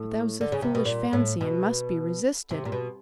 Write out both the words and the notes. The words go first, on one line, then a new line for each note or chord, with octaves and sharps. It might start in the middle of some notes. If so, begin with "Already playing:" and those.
But that was a foolish fancy, and must be resisted!
Already playing: A2
D3
C#3
C3
B2
A#2
A2
B2
C3
A#2
B2